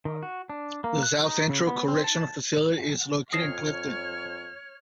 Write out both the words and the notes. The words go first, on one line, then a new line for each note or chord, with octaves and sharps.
The South Central Correctional Facility is located in Clifton.
D#3
F#4
D4
A#3
F#6
D#4
C#3
B3
C4
A5
F2 C#5 D#6 F6 A#6 C7